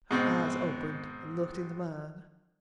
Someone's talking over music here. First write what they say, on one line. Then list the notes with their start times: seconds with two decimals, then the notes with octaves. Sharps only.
Her eyes opened and looked into mine.
0.11 G#2 B2 C4